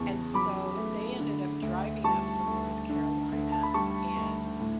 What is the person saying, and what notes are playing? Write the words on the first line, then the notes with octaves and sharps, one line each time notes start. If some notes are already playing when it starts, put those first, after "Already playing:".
And, so, they ended up driving up from North Carolina and,
Already playing: E2 C#3 A5 C#6
F#3 B5 D6
A3
D3
D2
G3 A5 C#6
D2
D3
D2
A5
B5
G3 A5 C#6
D2
A2